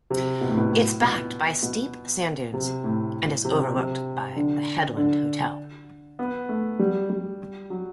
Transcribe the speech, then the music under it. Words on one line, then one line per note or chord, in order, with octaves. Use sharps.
It is backed by steep sand dunes and is overlooked by the "Headland Hotel".
C3
B2
A2
B2
A2
B2
B2
C3
A2
C3
C3
D3
D3
B3
A3
G3
G3
F#3